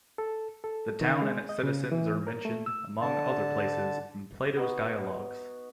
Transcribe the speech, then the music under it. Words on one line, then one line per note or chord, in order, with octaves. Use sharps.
The town and its citizens are mentioned, among other places, in Plato's Dialogs.
A4
A4
D#3
G#3
D#5
C#3
E3
A#4
A3
E6
D3 A5
B3 D#4 F#4